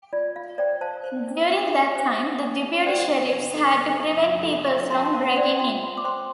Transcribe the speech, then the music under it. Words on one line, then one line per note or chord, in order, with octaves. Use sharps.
During that time, the deputy sheriffs had to prevent people from breaking in.
F4 D5
F4 F5
C5 D5 G5
C5 F5 A5
C5
D4
D4
G4
C5
D4
D4
G4
C5 D5 G5
D4
D4
A4
C5
D4
D4
A4
F4 F5
F4 C6
A5
G5 C6
C5 F5 A5
C5 D5 G5
F4 G5 C6
F4
D6
C5 G5 C6